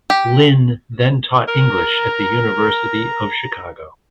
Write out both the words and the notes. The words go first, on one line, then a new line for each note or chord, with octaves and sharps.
Linn then taught English at the University of Chicago.
G4
A#4
A#5